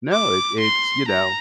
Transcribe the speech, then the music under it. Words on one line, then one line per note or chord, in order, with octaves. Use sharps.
No it it's you know,
D6
C6
A#5